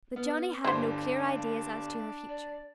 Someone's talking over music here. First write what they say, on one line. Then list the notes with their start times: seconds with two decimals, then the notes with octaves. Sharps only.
But Johnnie had no clear ideas as to her future.
0.16 B3 F6
0.65 G1 G2 D4 E4 C5 F5
2.29 D5